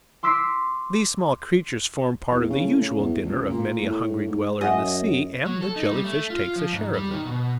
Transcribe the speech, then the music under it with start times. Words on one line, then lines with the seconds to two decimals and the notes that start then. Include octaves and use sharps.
These small creatures form part of the usual dinner of many a hungry dweller in the sea, and the Jelly-fish takes a share of them.
0.23 C6 D6 E6 B6 C7 D7
2.31 E2
2.50 C#3
2.64 A2
2.80 C#3
2.98 E2
3.23 C#2
3.49 A#2
3.82 A2
4.27 G#2
4.61 F#2 D#5 E5 F#5 G#5
5.46 F#3
5.61 A4
5.76 D#4
5.91 G3
6.04 A3
6.30 F4
6.56 F3
6.73 G#2
6.93 G3
7.11 D#3
7.25 B2